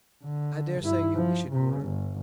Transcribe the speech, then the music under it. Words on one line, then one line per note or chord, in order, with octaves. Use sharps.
"I dare say you wish it were."
D3
G2 E4
F3
C#3
G1